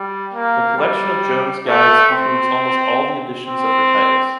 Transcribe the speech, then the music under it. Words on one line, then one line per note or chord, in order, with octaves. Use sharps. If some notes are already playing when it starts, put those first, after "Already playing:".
The collection of Joanne's Guides includes almost all the editions of her titles.
Already playing: G3
A#3
G3
A3
C4
C4